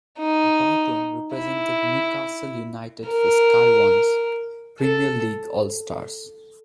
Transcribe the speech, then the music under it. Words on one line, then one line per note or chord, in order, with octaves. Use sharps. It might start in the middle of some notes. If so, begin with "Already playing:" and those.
Barton represented Newcastle United for Sky One's "Premier League All Stars".
D#4
E4
A#4
A4